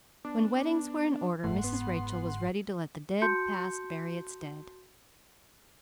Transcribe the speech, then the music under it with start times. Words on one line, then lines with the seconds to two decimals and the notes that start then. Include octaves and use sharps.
When weddings were in order Mrs. Rachel was ready to let the dead past bury its dead.
0.25 B3 D4
1.44 F#1 G#2 A3 F#5 C6
1.64 B3
3.22 F#4 A5 C6 G6 C#7